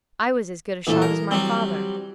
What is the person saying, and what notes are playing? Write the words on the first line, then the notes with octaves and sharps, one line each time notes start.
"I was as good a shot as my father."
A#1 E3 A3
A#4
F#3 G3 C4